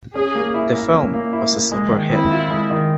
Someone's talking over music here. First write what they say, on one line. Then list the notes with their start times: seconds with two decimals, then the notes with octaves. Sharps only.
The film was a super hit.
0.15 C#4 G#4
0.35 A#3
0.54 E4
0.75 A#3
0.94 C#4
1.13 A#3
1.33 E4
1.52 A#3
1.72 G#3
1.91 D#3
2.11 C4 E4
2.31 F4
2.50 G#3
2.70 D#3